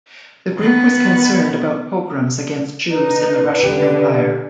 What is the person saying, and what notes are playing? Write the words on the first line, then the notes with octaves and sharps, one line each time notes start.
The group was concerned about pogroms against Jews in the Russian Empire.
D#3 B3
D#4 B4
D3 D4 G4